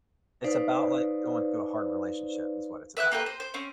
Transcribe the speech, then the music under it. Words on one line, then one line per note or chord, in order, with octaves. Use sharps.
it's about, like, going through a hard relationship, is what it's about.
D#4 B4 C5 D5 F5
B4 E5 D#6 F#6
A#3 G4 A4 B4
C5
C5
C4 C#4